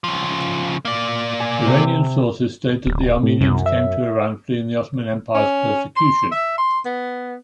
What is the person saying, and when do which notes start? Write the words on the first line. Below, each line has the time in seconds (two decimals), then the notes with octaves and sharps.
Iranian sources state that the Armenians came to Iran fleeing the Ottoman Empire's persecution.
0.04 C#3 F3
0.85 A#3 D5
1.40 G#5
1.66 C3
2.86 D1
3.23 A2
3.41 C2 F#2
3.66 E5
5.34 C#4
5.96 C6
6.32 E5
6.58 C6
6.85 B3